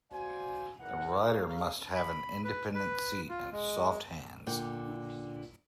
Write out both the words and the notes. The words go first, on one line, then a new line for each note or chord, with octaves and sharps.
The rider must have an independent seat and soft hands.
F#4 C5 D5 F5 G#5
G#1 E3 A#4 F#5
G#4 A#4 C#5 F5
B5
B4
B4
F4
G#3
A#2 D3 G5